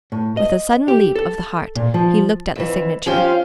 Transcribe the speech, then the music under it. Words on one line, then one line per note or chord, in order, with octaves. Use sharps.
With a sudden leap of the heart he looked at the signature.
A2
D#5
G4
A4
A#2
F3
F2 E3
F3 C#4 F4 G4 F5